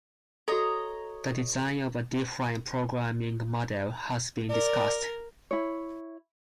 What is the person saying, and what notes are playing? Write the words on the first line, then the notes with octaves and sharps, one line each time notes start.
The design of a different programming model has been discussed.
F#4 A4 C#5 D#5 A#5
A#4 D5
E4 C#5